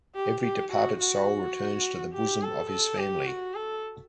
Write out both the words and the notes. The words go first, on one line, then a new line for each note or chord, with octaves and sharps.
Every departed soul returns to the bosom of his family.
G4
G4
F#4
F#4
G4
A4
A4
G4
F#4
A4